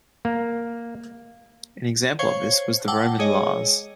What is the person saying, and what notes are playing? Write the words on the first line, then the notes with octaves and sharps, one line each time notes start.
An example of this was the Roman Lares.
A#3
C5 C#5 F5 C#6 G#6
F#5 G5 A5 D6 E6
G#3 G#4 C#5 D#5